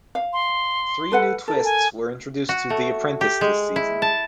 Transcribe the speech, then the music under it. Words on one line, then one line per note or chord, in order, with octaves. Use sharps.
Three new twists were introduced to "The Apprentice" this season.
F5
C6
A4 B4 F#5
A4 A#4
G#5
F#4
A3
G4
G#3
E4
A5